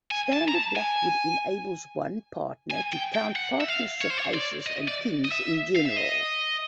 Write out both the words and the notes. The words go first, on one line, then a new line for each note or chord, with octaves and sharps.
Standard Blackwood enables one partner to count partnership aces and kings in general.
G#5
A5
A#5
A5
G#5
G#5
G5
G5
F#5
E5
F5
C#5
C5
C#5
D5
D#5
D5
D#5
E5
F5
E5
D#5